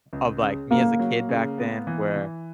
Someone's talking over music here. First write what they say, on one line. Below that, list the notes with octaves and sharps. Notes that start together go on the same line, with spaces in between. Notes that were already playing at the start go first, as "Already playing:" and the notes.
of, like, me as a kid back then where
C#2
C#3
C#3 A#3
F#3
C#3
B3
E3
E3